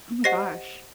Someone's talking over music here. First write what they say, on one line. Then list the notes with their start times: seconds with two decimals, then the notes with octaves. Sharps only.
Oh my gosh.
0.24 G4 C5 D#5 F#5 A#6 C7